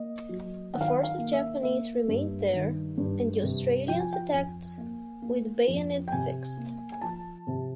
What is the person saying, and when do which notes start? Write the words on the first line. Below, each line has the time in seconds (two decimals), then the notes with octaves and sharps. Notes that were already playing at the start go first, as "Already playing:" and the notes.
A force of Japanese remained there, and the Australians attacked with bayonets fixed.
Already playing: A#3 D#5
0.29 F#3
0.74 D#3 F#5
0.81 F5
0.88 F#5
1.03 F5
1.18 A#3
1.33 E5
1.63 A#3 E5
2.08 G2
2.53 D#3
2.98 G2
3.43 C3
3.88 F3 G5
4.00 G#5
4.13 G5
4.32 F2 G#5
4.77 A#3
5.22 A#3
5.68 F2
6.08 G5
6.12 C3 G#5
6.57 A#3
6.92 G#5
7.02 F3 A5
7.47 C3